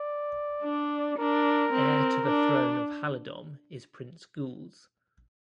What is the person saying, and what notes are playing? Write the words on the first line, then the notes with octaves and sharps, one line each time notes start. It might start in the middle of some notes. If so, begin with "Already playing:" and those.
Heir to the throne of Halidom is Prince Gules.
Already playing: D5
D4
D4 A#4
C4
D4